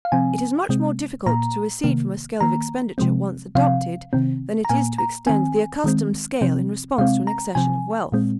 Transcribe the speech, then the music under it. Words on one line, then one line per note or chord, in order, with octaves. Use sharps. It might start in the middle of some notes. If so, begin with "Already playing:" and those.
It is much more difficult to recede from a scale of expenditure once adopted than it is to extend the accustomed scale in response to an accession of wealth.
F5
C3 F3 C4 G#5
C3 G#3 C4
A#2 A#3 A#5
C3 D#3 A#3
D#3 A#3 A#5
C3 F3 G#3 C4
C3 F3 C4 F5
C3 D#3 C4
A#5
A#2 A#3 G#5
A#5
D#3 C4 G#5
D#3 G#3 C4
C3 F3 C4
C3 G#3 C4 F5
A#5
C3 F3 C4 G#5
A#2 G#3 C4